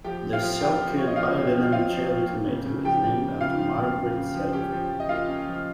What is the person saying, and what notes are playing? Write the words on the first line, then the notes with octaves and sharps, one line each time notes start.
The Selke Biodynamic cherry tomato is named after Margrit Selke.
F3 G4 G5
C4
F4 F5
F3
C4 G4 G5
F3
C4 C#5
D#5
F3 F4 F5
C4
F3
C4 F4 F5
F3
C4
A#3
C#3
C#3
F3 G4 G5
A#3
C#3
C#3 F4 F5
F3
A#3
C#3
C#3
F3
C#4 G4 G5
F3
F3
D#5
A#3 F4 F5
C#4
F3